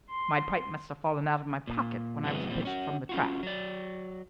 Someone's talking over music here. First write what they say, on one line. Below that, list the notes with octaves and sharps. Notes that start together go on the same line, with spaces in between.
My pipe must have fallen out of my pocket when I was pitched from the trap.
C6
A#2
G2 C3 E3 F#3 G#3 B3
A#2 G3 A#3 C4
C#4 F#4
C#4 F4 F#4
F#3 D5